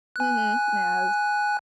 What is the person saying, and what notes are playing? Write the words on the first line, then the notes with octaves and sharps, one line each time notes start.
Mhm, yeah, it's
G#5 F#6